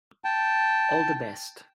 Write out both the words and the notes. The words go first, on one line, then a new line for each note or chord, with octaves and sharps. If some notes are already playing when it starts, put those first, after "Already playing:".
All the best.
G5 A5